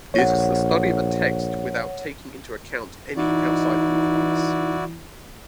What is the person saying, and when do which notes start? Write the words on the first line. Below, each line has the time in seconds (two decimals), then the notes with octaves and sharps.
It is the study of a text without taking into account any outside influence.
0.14 A#1 C#5 F#5
3.17 E3 D#4 E4 F#4 D5